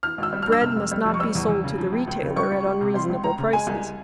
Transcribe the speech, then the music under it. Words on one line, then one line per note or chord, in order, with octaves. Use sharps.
Bread must not be sold to the retailer at unreasonable prices.
E3 F6
G#1 E6
G3
F6
G2 E6
C3 F6
F1
G3
F2
C#6
G3 E6
E2
E2
C#3
F3
C#2
C#2
C#3
G3 C#6
C#2
C#2
C3
G3 C6
C#2
C#2 A#5
C#3
G#3 G#5
C2